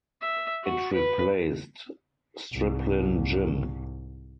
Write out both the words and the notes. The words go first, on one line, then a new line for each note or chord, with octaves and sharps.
It replaced Striplin Gym.
E5
F#4
B4
C2 G#2